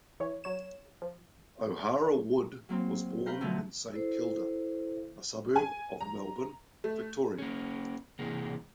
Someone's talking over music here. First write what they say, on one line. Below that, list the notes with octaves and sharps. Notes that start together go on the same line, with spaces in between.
O'Hara Wood was born in Saint Kilda, a suburb of Melbourne, Victoria.
E3 C#5
F#3 C#5 E7
F3
F#3 A#3 C4
B4 F5 A#5 G6
B2 D3 F3 F#3 A3
E4 A4 C5
G#5
A#5
A3
A#3 C#4
C3 E3 G#3 A#3